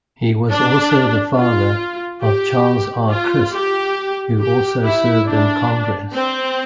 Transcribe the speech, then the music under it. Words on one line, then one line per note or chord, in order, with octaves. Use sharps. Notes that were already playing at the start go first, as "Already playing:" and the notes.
He was also the father of Charles R. Crisp who also served in Congress.
D4
F4
G4
F4
G4
G4
E4
D4
C4